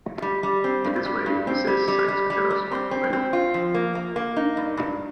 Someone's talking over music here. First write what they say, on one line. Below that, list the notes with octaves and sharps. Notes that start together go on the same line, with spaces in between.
In this way, he says, science can tell us what to value.
G3
G3
C4
G2
G3
G2
C4
G3
G3
G3
G3
G3
C4
C4
C4
F4
F3
A#3
A#3
A#3
D#4
G2
G2